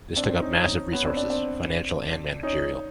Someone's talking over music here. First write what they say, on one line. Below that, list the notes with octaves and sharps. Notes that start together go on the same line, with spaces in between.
This took up massive resources - financial and managerial.
C4 D4
C4 D4
C#4 D#4
C#4 D#4
B3 C#4
C4 D4
C4 D4
C4 D4
C#4 D#4